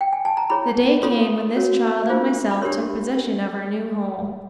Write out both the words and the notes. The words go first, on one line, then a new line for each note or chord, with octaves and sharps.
The day came when this child and myself took possession of our new home.
G5
G#5
A5
A#5
E4 G#4 C#5 B5
F4 A4 C#5 C6
F#4 A#4 C#5
D4 F4 G#4 C5
B5
D4 G4 A#4 C#5 C6